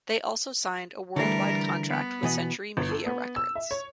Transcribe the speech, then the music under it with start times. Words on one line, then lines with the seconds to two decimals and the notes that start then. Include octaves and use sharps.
They also signed a worldwide contract with Century Media Records.
1.16 D3 E3 G3 A3 A#4
1.89 B3
2.23 B2 E3 D#5
2.77 G1
2.91 A4
3.06 B3
3.36 E6
3.55 E5
3.71 C#5